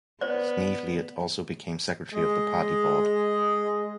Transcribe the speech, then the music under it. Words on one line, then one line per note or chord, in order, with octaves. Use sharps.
Sneevliet also became secretary of the party-board.
B3 C5 D5
G#3 G#4 D#5